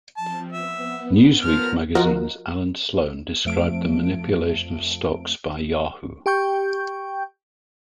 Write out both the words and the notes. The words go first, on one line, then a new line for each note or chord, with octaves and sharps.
"Newsweek" magazine's Allan Sloan described the manipulation of stocks by Yahoo!
F3 C4 A5
B3 E5
F3 B3 A#4 F6 A#6
F3 F4 F#4 A#4 D#5 F#6
F2 F3 A3 D7
G4 G5 C#6 G6